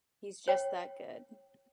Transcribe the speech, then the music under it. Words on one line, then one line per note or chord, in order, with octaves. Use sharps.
He's just that good.
C#5 G5